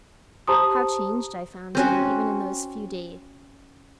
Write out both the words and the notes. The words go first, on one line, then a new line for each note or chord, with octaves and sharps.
How changed I found him, even in those few days!
G4 C5 A5 A#5 C6 D#6
C4 C#4 F#4